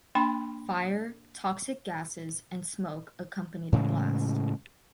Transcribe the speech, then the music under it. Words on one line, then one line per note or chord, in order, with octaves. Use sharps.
Fire, toxic gases, and smoke accompanied the blast.
A#3 D4 G5 B5 C6
A2 C#3 E3 G#3